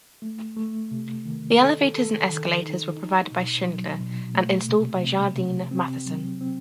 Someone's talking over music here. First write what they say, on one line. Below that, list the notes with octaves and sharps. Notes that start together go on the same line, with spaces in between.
The elevators and escalators were provided by Schindler and installed by Jardine Matheson.
A3
A3
C3
D#3
A4
A4
D#3
D#4
D#4
B2
F#3
B2
A3
C3
C3
C3
C4
F#3
C4